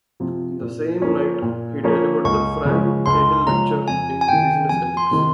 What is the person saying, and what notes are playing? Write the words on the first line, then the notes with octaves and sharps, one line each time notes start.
The same night, he delivered the Frank Cahill Lecture in Business Ethics.
C3 F3
A#2
F3 A#3 C#4
A#2
F3 A#3 C#4
C#2 C#6
C#3 F3 G#3 C#4
C#2 C6
C#3 F3 G#3 C#4 A#5
F2 G#5
G#5
C3 D#3 G5
F2 G#5
C6
C3 D#3